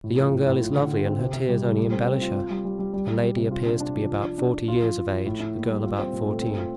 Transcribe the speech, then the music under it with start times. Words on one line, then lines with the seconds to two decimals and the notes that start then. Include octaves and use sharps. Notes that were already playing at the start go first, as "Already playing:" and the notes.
The young girl is lovely and her tears only embellish her; the lady appears to be about forty years of age, the girl about fourteen.
0.04 A2
0.18 F3
0.32 A2
0.47 A2
0.61 F4
0.75 D3
0.91 F4
1.05 C4
1.19 C3
1.33 C3
1.49 G3
1.63 G3
1.78 A3
1.91 C4
2.06 C4
2.21 F4
2.35 F4
2.50 G3
2.65 G3
2.79 G3
2.93 G3
3.08 G3
3.23 G3
3.37 C3
3.51 F4
3.66 D4
3.80 D4
3.96 F3
4.10 F3
4.24 D4
4.38 D4
4.53 D4
4.68 F4
4.83 F3
4.97 F3
5.11 F3
5.26 A2
5.40 E4
5.55 A#3
5.70 G3
5.84 F4
5.99 C4
6.13 A#2
6.27 A3
6.42 C4
6.56 F4